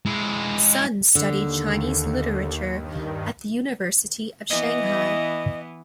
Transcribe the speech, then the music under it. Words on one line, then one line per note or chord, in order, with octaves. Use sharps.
Sun studied Chinese literature at the University of Shanghai.
G#3 E4
D#2 D3
G2 D#3
E3 B3 D#5